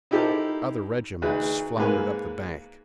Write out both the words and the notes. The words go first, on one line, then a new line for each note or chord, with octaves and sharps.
Other regiments floundered up the bank.
D#4 E4 G4 A4 A#4 C5
D2 D#4 G#4 B4 B5 F#6
G#2 G#3 A#3 A#4 B4 G#5